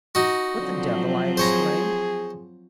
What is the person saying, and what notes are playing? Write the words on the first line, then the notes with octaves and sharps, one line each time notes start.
"What the devil!" I exclaimed.
D#4 F#4
D3 F3 F#3 C4
G#4 C5 C#5 A#5